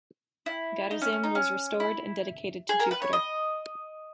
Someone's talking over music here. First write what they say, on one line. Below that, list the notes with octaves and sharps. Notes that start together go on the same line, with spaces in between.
Garizim was restored and dedicated to Jupiter.
E4
D#4
C#4
C#4
D#4
C#4
E4
G#4
A#4
B4
C#5
D#5